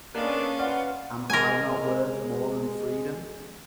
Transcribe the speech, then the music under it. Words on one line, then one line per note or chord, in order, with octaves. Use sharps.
Am I not worth more than freedom?
G#3 A#3 B3 C#4 D4 F5
F4 B4 D5 F#5
G#3 A#4 G#5